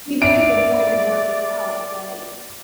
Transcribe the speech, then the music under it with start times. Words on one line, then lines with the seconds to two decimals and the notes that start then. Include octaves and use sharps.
Even to the point of working out, like
0.22 D5 E5 D7